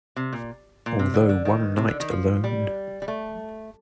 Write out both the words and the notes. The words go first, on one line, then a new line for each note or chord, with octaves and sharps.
Although One Nite Alone...
C3
A#2
A#2
C3
D3
D3
D#3
C3
D3
D#3
F3
G3
G3
A3